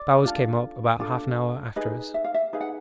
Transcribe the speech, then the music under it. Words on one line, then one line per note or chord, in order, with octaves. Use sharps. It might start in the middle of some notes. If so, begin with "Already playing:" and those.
Bowers came up about half an hour after us.
Already playing: D5
D4 F4 A4
D4 F4 A4
D#4 G#4 B4 D#5
E5
F5
E5
D#4 G#4 B4 F5
F#5